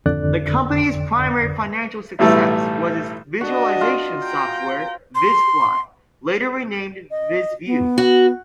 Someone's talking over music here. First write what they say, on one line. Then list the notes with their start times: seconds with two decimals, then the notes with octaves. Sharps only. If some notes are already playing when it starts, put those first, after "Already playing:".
The company's primary financial success was its visualization software VisFly, later renamed VisView.
0.06 G#1 F2 D3 D5 F#6
2.19 B1 A2 E3 G3 A3
3.41 D4 F#4 D#5
3.81 F4
4.23 G5 A#5
5.15 C6
7.11 D#5
7.66 B3
7.98 F#4